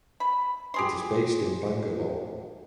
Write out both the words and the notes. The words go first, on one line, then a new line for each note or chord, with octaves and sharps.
It is based in Bangalore.
B5
G4 G#4 C6